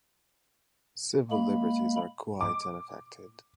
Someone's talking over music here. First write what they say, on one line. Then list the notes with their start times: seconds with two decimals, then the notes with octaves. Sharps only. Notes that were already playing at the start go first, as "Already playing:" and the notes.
Civil liberties are quite unaffected.
1.31 G#3 A#3 B5
2.41 D6